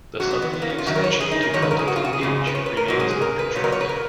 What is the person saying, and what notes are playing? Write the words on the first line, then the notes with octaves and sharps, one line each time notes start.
The southerly extension to Huntington Beach remains unconstructed.
F2 D#3 F#3 F#4
B3
B3
B3
A#3
C#4
F4
F#2 D#3 F#3 F#4
A#4
C#5
B4
G#4
D#4
A#4
G#2 D#3 F#3 C#5
B4
A#4
G#4
F#4
F4
F#4
G#4
F2 C#3 F3
B4
C#5
B4
A#4
G#2 F#3 F#4
G#4
G#4
A#4
B4
A#2 F#3 C#5
A#4
C#5
B4
A#4